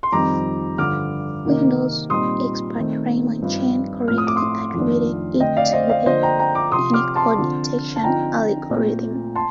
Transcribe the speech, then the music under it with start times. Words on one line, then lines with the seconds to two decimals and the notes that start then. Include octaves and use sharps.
Windows expert Raymond Chen correctly attributed it to the Unicode detection algorithm.
0.03 C6
0.12 F2 D#3 G3 C4 D#4 A#5 D6
0.78 G2 D3 F3 D6 F6
1.45 C3 D#3 A#3 D#4
2.10 A#2 G3 C4 D#4 C6 D#6
2.76 D#3 A3 C4 D#4
3.42 G2 F3 C4 D#4
4.08 A2 F3 A3 C4 F6
4.18 D#6
4.27 D6
4.36 C6 D#6
4.74 F2 D#3 A3 D4
5.40 D3 A3 C4 D#5 G5
5.57 D5 F5
5.73 C5 D#5
5.89 D5 F5
6.06 D3 F3 A#3 D4 C5 D#5
6.23 G5 A#5
6.39 G5 A#5
6.55 A#5 D6
6.72 C3 F3 C4 C6 D#6
6.93 D6 F6
7.16 A5 C6
7.38 D3 F3 C4
7.96 A5
8.03 D3 F3 C4 D#4 G5 A#5
8.70 A#2 A3 C4
9.35 A5 C6